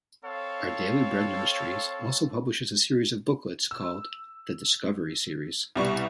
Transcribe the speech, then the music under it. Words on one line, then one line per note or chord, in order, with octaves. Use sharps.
Our Daily Bread Ministries also publishes a series of booklets called "The Discovery Series".
C4 A4 C#5 F5
E6
C2 B2 G3 D5 C#6